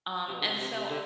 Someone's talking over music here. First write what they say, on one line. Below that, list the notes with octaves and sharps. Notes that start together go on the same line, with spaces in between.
um, and so
C3
B2
D3
C3
C3
C3
D3